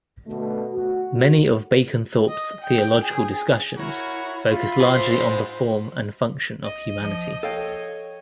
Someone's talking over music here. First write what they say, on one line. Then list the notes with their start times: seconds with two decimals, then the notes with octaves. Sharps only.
Many of Baconthorpe's theological discussions focus largely on the form and function of humanity.
0.27 B2 D3 A3
0.74 F#4
2.28 D#5
2.61 G5
3.04 G#4
3.76 E4 F#4 A#4 C#5
4.50 F4 E5 B5 C6
4.81 G#4 C5
6.65 D#5
7.00 F3
7.43 A4 C#5 F5 G5